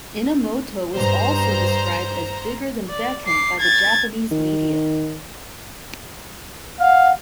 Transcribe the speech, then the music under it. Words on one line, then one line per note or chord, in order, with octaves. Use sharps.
Inamoto was also described as "bigger than Beckham" by the Japanese media.
G2 C5 A#5
D5
D6 C7
G#6 A6
D#3
F5 F#5